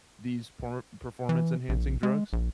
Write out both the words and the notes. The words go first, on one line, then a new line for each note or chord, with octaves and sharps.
these por performance-enhancing drugs?
E3
A#1
G#3
A#1